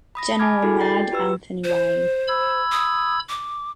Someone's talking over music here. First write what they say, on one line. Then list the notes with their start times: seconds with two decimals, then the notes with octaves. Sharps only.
General "Mad" Anthony Wayne.
0.15 B5 D#6 A#6
0.39 G#5 A5 B5 D6 F6 G#6
0.62 D4 E4 F#4 G#4 A4 D5
0.81 D5 G5 A6 C7
1.12 F4 G4 B4 E6
1.64 C5
2.28 B5 E6 G#6
2.72 D#6
3.29 D6